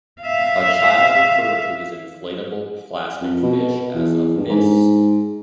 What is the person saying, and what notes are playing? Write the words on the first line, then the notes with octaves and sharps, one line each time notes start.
A child referred to his inflatable plastic fish as a "fis".
E5 F5
F2
B2
E2
G2
G#2